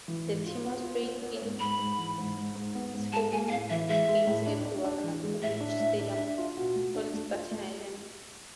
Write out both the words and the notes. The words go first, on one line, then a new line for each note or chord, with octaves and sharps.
The team played its home games at Wagner College Stadium on Staten Island.
E3
G#2
F4
B3
F4
B3
B3
G#2
G#2 B5
G#2
E3
G#2
G#2
G#2
B3
G#2
G#3 A5
G#3 G#5
G#5
A2 F5
E3 E5
G#3 E5
G#3
A2
D4
D4
D4
E3
G#3
A2 E5
D4
A2
D4
D4
F4
B2
A3
D4
A3
F4
A3